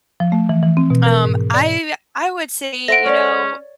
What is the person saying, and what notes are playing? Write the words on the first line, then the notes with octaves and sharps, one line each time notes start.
um, I w I would say, you know,
F3
A3
E3
E3
C4
B2
A#4
G#2
D5
A4 C5 E5 F#5 A#6 D7
C#4 C#5 D5